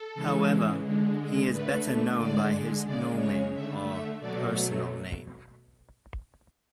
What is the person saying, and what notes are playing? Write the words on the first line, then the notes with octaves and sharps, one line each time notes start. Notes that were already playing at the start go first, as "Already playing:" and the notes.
However, he is better known by his "nomen", or personal name.
Already playing: A4
C#3 E3 G#3
D3 G#3
D3 A3 B4
D3 G#3 D5
C#3 G#3 D5
C#5
D3 A3 E5
E5
B2 F#3 A3 D5